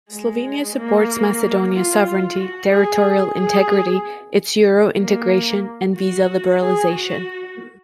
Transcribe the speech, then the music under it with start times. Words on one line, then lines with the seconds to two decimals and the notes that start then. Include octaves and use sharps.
Slovenia supports Macedonia's sovereignty, territorial integrity, its Euro-integration and visa liberalisation.
0.11 G#3
0.76 A#3
1.74 F4
2.38 F#4
2.71 G#4
3.36 G#4
4.98 A#3
5.96 F#4
6.60 G#4
6.93 F#4